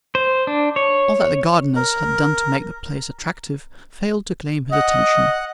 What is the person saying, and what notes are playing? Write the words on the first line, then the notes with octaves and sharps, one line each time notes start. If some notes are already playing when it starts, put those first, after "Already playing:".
All that the gardeners had done to make the place attractive failed to claim his attention.
C5
D4
C#5
A#4
D#5 F#5